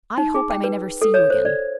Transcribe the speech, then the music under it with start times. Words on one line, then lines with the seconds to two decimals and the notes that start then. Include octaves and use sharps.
I hope I may never see you again.
0.18 D#4
0.34 G#4
0.51 G5
0.64 B4
1.02 A4
1.14 C#5
1.30 C5
1.45 D5